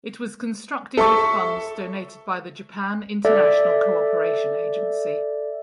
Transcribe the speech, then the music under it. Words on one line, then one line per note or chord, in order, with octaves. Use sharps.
It was constructed with funds donated by the Japan International Cooperation Agency.
A4 E5 A5 C#6
A4 D5 E5